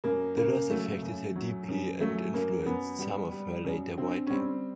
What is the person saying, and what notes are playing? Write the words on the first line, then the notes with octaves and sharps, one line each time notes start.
The loss affected her deeply and influenced some of her later writing.
F#2 A#3
C#3 A#3
F#3 A3
F#2
F#3
F#2
F#3 A3
F#2 A#3
F#2 B3
G3
G3
F#2
D3 C4
C#4
G3 C4